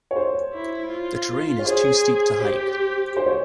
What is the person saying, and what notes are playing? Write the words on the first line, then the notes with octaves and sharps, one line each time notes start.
The terrain is too steep to hike.
C#5
C5
E4
F4
C#5
G#4 C5
G4 C5
C5
C#5